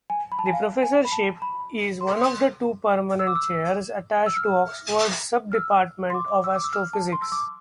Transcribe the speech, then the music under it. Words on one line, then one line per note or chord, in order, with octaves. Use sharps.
The professorship is one of two permanent chairs attached to Oxford's Sub-Department of Astrophysics.
G#5
B5
A5
G#5
F5
G#5
B5
A5
B5
C6
E6
D6
E6
E6
F6
F6
E6
C6
D6
D6
E6
D6
E6
F6
A5
C6
E6
D6